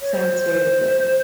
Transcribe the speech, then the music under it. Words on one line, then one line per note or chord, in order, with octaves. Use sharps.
Sounds very good.
C#5
C5